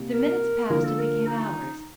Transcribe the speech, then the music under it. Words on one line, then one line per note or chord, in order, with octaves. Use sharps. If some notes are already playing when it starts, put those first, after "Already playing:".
The minutes passed and became hours.
Already playing: C3 G3 A#3 D#4 G4
A#4
D3 F3 A#3 F4 A#4
A4
A#4
D#4